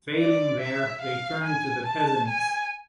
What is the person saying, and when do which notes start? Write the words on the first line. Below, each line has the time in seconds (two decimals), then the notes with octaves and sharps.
Failing there, they turned to the peasants.
0.17 D5
0.60 E5
1.01 F5
1.43 G#5
1.85 A5
2.28 G#5